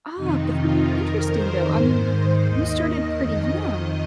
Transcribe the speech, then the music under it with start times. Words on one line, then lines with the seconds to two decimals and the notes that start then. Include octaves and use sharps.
Ah, but this is interesting, though. I mean, you started pretty young,
0.16 F2 C3 D#3 D#4
0.53 F4
0.92 F2 D#3 A#4
1.30 C5
1.68 G#2 D#3
2.44 D#2 D#3 D#5
3.20 F2 D#3